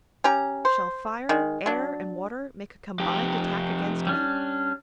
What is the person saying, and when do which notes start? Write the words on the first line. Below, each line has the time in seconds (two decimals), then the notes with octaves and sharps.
Shall fire, air, and water make a combined attack against me?
0.24 C#4 G4 A#5
0.65 C5
1.29 D#3 G#3
1.66 F#3 D4
3.00 F2 G4
4.07 G3 C#4 D4